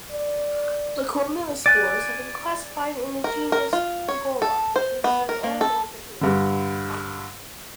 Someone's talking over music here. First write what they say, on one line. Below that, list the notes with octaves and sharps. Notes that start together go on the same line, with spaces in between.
The chlamydospores have been classified in the genus "Ugola", which is an anamorphic name.
D5
D5 G#5 F#6 A6
A#4
A#4
F4
C#5
A4
C5
B3
A#4
A#3
A4
G2 D3